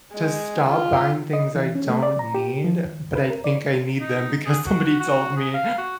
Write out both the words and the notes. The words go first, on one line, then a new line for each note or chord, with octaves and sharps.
to stop buying things I don't need, but I think I need them because somebody told me,
G#3
F4
D#5
E3
C#4
A3
D5
A#5
G4
F3
D#2
B4
A#4
D5
D#4
G#4
F#4
F#4
F#4
G#4
F5
F#4